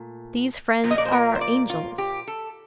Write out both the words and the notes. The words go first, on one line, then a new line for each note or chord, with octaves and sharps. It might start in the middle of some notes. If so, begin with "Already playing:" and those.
These friends are our angels.
Already playing: A#2 A3
A#2 F3 A#3
D#5
D5
C5
A#4
C5
D5
F4
G4
A4